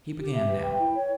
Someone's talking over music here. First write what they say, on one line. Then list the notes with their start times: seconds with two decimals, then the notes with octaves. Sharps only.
He began now.
0.19 G4
0.33 E5
0.49 B4
0.65 G5
0.79 E4
0.94 C#5